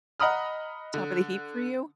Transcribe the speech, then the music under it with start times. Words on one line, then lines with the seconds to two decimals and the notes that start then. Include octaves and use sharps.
top of the heap for you?
0.20 D#5 F#5 A#5 B5 D#6 F6
0.94 D3